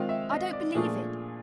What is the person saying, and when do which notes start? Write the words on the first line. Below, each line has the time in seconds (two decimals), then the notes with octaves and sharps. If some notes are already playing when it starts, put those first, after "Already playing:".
I don't believe it!
Already playing: D#3 G#3 C4 F4 F5
0.09 E5
0.31 D#5
0.53 D5
0.75 A#2 F3 A3 D4 F4 G#4